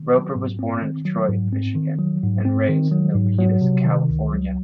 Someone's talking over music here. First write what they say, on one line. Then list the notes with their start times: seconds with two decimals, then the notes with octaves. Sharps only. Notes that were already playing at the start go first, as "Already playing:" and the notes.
Roper was born in Detroit, Michigan and raised in Milpitas, California.
Already playing: D#3
0.12 F#3
0.35 G#2
0.59 C4
0.82 D#3
1.05 F#3
1.29 G#2
1.52 C4
1.75 D#3
1.98 F#3
2.23 G#2
2.45 C4
2.69 D#3
2.91 F#3
3.15 G#2
3.38 F#3
3.61 C3
3.85 D#3
4.09 C#2
4.32 F#3